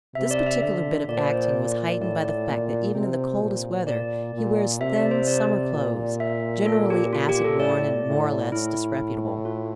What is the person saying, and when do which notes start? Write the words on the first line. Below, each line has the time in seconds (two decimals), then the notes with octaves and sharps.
This particular bit of acting was heightened by the fact that even in the coldest weather he wears thin summer clothes, generally acid-worn and more or less disreputable.
0.15 C3 E5
0.31 D5
0.46 E5
0.62 D3 E5
1.08 A#2 D5
1.17 C5
1.27 D5
2.01 A2 D5
2.25 D5
2.48 A#2
2.95 C3 C5
3.42 A#2
3.87 D5
4.34 A#2
4.80 C3 E5
4.96 D5
5.11 C5
5.27 D5
5.74 A#2
6.20 E5
6.66 A4
6.90 G4
7.13 F4
7.29 G4
7.44 A4
7.60 A2 D5
8.06 A2
8.52 A2 E4
9.45 F4